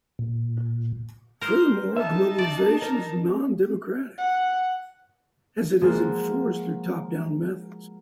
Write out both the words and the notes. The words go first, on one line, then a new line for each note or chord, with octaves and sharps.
Furthermore, globalization is non-democratic, as it is enforced through top-down methods.
A#2
A#4 C5
D#4 E5 A5
D5
A#4
F#5
F3 G#3 A#3 F#4